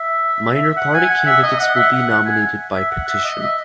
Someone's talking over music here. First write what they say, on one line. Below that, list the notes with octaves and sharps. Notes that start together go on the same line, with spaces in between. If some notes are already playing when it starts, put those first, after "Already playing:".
Minor party candidates will be nominated by petition.
Already playing: E5
F#5
G#5
F#5
E5
D#5
F#5
E5
F#5
F#5
G#5
E5
F#5
E5
D#5
E5